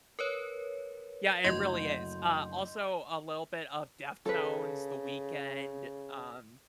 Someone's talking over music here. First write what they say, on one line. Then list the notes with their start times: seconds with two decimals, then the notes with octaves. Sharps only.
yeah, it really is. Uh, also a little bit of Deftones, The Weeknd, um
0.19 A#4 B4 C#5
1.44 F#1 D2 D#5 C6 G6
4.26 C#3 A4 B4